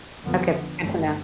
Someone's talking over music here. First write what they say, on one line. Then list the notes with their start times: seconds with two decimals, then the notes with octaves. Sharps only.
Okay, good to know.
0.22 F2 D3 F3 B3
0.80 G1 G2 E3 A3 C4